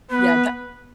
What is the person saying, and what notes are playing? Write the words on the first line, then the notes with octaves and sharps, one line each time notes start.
Yeah, th
B3 B4